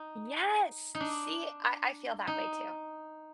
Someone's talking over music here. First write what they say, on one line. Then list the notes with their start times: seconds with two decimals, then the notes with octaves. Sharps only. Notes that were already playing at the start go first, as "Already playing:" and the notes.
Yes. See, I I feel that way too.
Already playing: D#4
0.95 D#4
1.00 D4
2.27 D#4